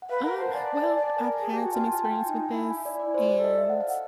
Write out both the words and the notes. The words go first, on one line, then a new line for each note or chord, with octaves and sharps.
Um, well, I've had some experience with this. And
F#5
B4 F5
A#4 F#5
C5 A5
D5 G#5
A5
A5
D5 G#5
A#4 G#5
G#4 A5
G4 G5
F#4 G#5
F4 A5
A5
G#5
G5
G#5
D#4
E4
G#5
D5
D5
F4 C5
D5
A4
D#5
E5
F#5
F5
F#5